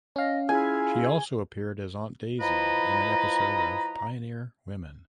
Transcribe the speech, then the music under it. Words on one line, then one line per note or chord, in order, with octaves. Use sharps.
She also appeared as Aunt Daisy in an episode of "Pioneer Women".
C#4 D#5 F5
E4 F4 G#4 G#5
F3 E4 B4 D#5 A#5